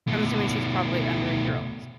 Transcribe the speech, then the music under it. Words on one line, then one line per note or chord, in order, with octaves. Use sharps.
I'm assuming she's probably under a year old.
B2 A3